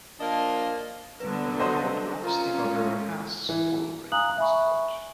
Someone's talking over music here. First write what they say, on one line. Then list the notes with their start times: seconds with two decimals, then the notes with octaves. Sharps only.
The Code::Blocks debugger has full breakpoint support.
0.19 F3 A#3 D4 D#5
1.20 D3 F#3 G3 B3 B4
1.60 F#4 C5 D#5
2.24 C#4 F4 A#4 A#5
2.65 G#3
3.49 E3
4.12 F5 G#5 A#5 D#6 F#6 F#7
4.38 E5 G#5 B5 C#6